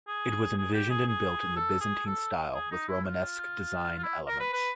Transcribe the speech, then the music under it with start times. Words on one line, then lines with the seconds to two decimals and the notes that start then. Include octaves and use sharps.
It was envisioned and built in the Byzantine style, with Romanesque design elements.
0.08 G#4
0.57 G#4
0.73 G4
0.90 G#4
1.07 G#4
1.56 A4
1.81 G#4
2.06 A4
2.54 G#4
2.71 D#4
2.88 E4
3.04 F4
3.98 F4
4.03 E4
4.28 A#4
4.40 B4
4.53 B4